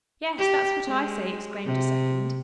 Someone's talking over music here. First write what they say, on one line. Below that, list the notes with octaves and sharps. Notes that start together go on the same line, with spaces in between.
"Yes, that's what I say!" exclaimed a second.
G4
G#3
C3